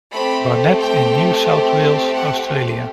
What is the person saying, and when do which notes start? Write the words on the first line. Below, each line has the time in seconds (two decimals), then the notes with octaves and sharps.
Barnett in New South Wales, Australia.
0.12 A3 C4 G4 B5
0.79 G5
2.14 F#5